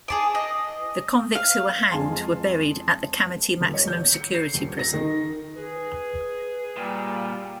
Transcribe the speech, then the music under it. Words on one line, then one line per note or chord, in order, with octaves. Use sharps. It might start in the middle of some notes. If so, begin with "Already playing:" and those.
The convicts who were hanged were buried at the Kamiti Maximum Security Prison.
G#4 A5 D6
D#5
F5
F2 G#3 G#4 G#5 A5 C6
D#1
C#5
G6
C#7
C7
D#1
A#6
D#3
G#4 B4
A#2 G3 G5